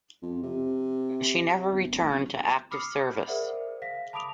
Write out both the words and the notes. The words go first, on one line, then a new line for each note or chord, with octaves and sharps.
She never returned to active service.
F2
C3
G1
D1
B5 D6 D#6 F6 C7 C#7
G#4 A#4 C5 D5 E5 F#5
F5 A#6 B6
A5 B5 D6 D#6 D7 F7